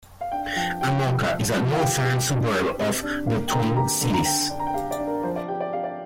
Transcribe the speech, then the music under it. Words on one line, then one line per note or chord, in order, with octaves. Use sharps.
Anoka is a northern suburb of the Twin Cities.
F5
D4 G5
F3 G5
G4 G5
F3
F3
F3
F5
G4 G5
G4
D4
G4
C3
D4
A#3 F5
G5
D3 A#5
G4 A#5
D3
A#5
D3 G5
D4
A#5
G5
G4 F5
D5
D4
A#4
F3 C5
D5
G4 G5
D5
G4 F5
D5